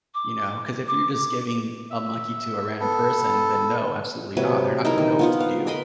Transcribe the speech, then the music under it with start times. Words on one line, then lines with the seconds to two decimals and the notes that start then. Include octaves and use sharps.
You know, 'cause if you're just giving a monkey to a random person, then no, absolutely not, they're not gonna know what to do,
0.15 D6
0.87 D6
1.90 E5
2.80 B3 A4
4.37 C3 F#3 B4
4.85 D#4 E4 A#4
4.98 D#3
5.19 B3 F4 F#5
5.40 F5
5.67 A#4 D#5 B5 C6